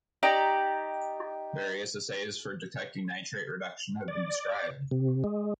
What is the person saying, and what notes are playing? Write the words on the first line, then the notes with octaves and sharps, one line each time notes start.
Various assays for detecting nitrate reduction have been described.
D#4 G4 D5 A#5
D5
C3
G#3